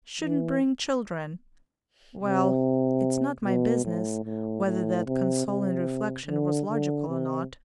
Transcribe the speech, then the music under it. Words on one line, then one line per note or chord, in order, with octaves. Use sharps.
Shouldn't bring children!' Well, it's not my business whether that consoling reflection was logical or not.
E3
C3
B2
A2
A2
A2
C3
C3
D3
D3
C3